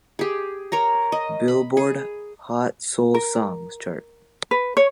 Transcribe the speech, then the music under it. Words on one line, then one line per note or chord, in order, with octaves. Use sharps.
Billboard Hot Soul Songs chart.
G4 G#4
A#4 C#5 A#5
D#5
B5
G#4
A#4
B4
C#5